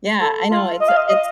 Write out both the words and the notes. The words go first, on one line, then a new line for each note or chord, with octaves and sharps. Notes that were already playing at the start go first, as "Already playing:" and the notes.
Yeah, I know. It's uh it's
A4
F4
D#5
F5
D#5
D#5